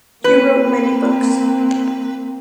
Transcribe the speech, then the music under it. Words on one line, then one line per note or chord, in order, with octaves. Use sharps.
He wrote many books.
A#3 C4 B4